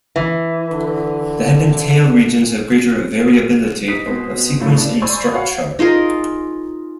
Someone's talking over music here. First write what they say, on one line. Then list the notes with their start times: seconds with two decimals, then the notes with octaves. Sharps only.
The head and tail regions have greater variability of sequence and structure.
0.16 E3 E5
0.71 D3
3.88 D#4 B6
4.06 B2 G#3 C4
4.60 A2 C#3 F#3 A3
4.78 D4
5.02 C5 D5 G#5 B5 C#6 E6
5.32 F#4 B4 C#5 F5 F#5
5.79 D#4 F4 G#4 A#4